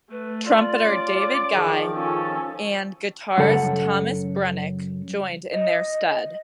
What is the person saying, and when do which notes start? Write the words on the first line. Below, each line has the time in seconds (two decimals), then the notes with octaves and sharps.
Trumpeter David Guy and guitarist Thomas Brenneck joined in their stead.
0.11 A3 B4
0.46 F4 D5
0.86 C#4 D6
1.53 D#3 F3 G#4
1.94 C#4 F4 A4
3.38 F#2 C#3 A4 F#5
5.53 D#5